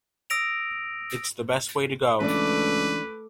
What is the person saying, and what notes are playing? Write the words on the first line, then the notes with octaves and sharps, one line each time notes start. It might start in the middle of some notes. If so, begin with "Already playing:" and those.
It's the best way to go.
D#6 E6 A#6 D7 F7
C#2 E3 A3 D4 B4 D5 D6